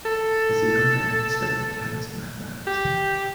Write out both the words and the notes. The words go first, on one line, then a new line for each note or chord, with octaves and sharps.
As a young man, he studied mechanics and mathematics.
A4
G4